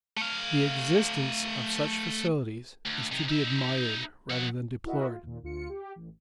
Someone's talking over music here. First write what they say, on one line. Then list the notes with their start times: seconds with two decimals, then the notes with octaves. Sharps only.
The existence of such facilities is to be admired rather than deplored.
0.17 A3 F5
2.86 D2
3.12 C3 D#4
3.28 D#4 E5
4.30 F3 F#5
4.85 E4 F#4 A#4 D#5 E5 F#5
5.08 F4
5.23 D#2 A#2
5.43 D2 F4 C#7
5.69 G4
5.95 A1